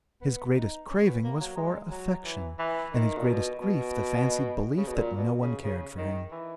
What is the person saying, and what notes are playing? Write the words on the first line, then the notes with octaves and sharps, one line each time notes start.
His greatest craving was for affection, and his greatest grief the fancied belief that no one cared for him.
B3
D#4
C#4
B3
A#3
F#3
G#3
F#3
E3
E3
D#3
A#2
B2
B2
C#3
B2
A#2
B2
C#3
C#3
D#3
E3